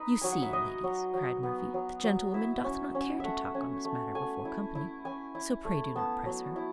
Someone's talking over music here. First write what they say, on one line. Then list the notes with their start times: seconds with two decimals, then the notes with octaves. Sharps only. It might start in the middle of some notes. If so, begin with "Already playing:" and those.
"You see, ladies," cried Murphy, "the gentle-woman doth not care to talk on this matter before company; so pray do not press her."
Already playing: D#4 B4
0.21 F#3 G#5
0.32 F#5
0.42 E5
0.53 F#3 D#5
0.84 F#3
1.14 F#3
1.43 B3
1.74 F#3
2.04 F#3
2.34 E4 E5
2.64 C#4
2.95 C#4
3.20 A3 E5 F#5
3.55 C#4
3.85 A3
4.15 A3 G#5
4.45 E4
4.75 E4
5.05 C#4 G#5
5.35 E4
5.65 A3
5.96 B3 A5
6.26 F#3
6.56 E4